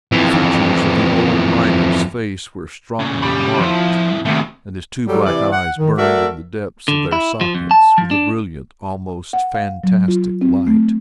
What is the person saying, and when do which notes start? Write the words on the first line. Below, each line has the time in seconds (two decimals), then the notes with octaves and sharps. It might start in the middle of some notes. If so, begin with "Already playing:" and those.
The features of the old miner's face were strongly marked, and his two black eyes burned in the depths of their sockets with a brilliant, almost fantastic light.
0.12 F2 E3
3.00 A#2 C#3
3.22 G4 B5
3.60 F2 F3 E4
4.25 D#2 C3 A3
5.08 F#3 G3 A4
5.26 C3 E3 D5
5.52 F#5
5.78 D#3
5.98 A3 F#4 A4 A#4 D5 E5
6.88 D3
7.12 E4
7.41 F3
7.55 F2
7.71 A5
7.98 F3
8.11 D4
9.33 F#5
9.55 F5
9.84 F#3
10.08 F4
10.41 C4
10.67 A3